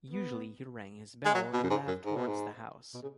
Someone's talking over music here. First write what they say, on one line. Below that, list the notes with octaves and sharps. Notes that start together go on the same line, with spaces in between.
Usually he rang his bell and laughed towards the house.
B3
G#3
F#3
B2
F#2
G#2
F#2
G#2
B2
G#2
B2
C#3